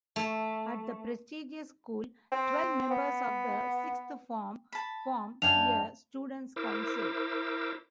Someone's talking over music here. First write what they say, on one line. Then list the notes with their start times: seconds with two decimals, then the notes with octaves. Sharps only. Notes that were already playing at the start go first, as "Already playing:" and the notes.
At the prestigious school twelve members of the Sixth Form form a Student's Council.
0.16 A3
2.32 C4
2.91 B3
4.72 A5 B5
5.42 F#2 D4 F5 G5 G#5 F7
6.56 E4 A#4 C5 D6 E6